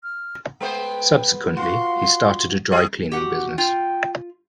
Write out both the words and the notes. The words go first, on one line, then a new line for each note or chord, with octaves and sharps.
Subsequently, he started a dry-cleaning business.
F6
G#3 B3 C5 G5
F4 F#4 C6
F#3 G#4 G5
F#4 G4 F#5
F4 G5